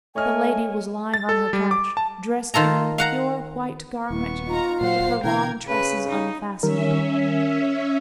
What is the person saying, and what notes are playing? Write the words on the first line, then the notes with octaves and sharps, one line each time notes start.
The lady was lying on her couch, dressed in a pure white garment, with her long tresses unfastened.
A3 C#5 D#5 G#5 F6
A6
A4
G3
D6
A5
D#3 F4 A4 A#5
F5 F#5 A#5
D#1 B3 E4 C#6
D#4 F4 A#5
A#2 F#3 C5 F5 F#5 C7
B2 D3 E3 E4 A#4 G5 G#6
C#3 B4
D#4
D#3 G3 C#4 A#4 E5